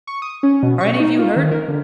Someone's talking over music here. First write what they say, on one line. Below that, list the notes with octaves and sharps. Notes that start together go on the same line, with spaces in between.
"Are any of you hurt?"
C#6
D#6
C#4
B2
C#6
D#4
F4
D#3
A#4
D3